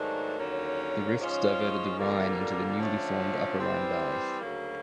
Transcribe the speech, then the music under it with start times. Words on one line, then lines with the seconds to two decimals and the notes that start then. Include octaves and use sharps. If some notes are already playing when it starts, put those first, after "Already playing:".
The rift diverted the Rhine into the newly formed Upper Rhine Valley.
Already playing: G#2 D#3 F#3 A3 D4
0.39 D#2 D3 F#3 A#3 C#4
1.19 G#2 F3 G#3 C#4 F4
1.99 F2 D3 G3 A#3
2.79 D3 F3 A3 C#4
3.60 E3 G3 C4
4.39 D2 C#3 F#3 A#3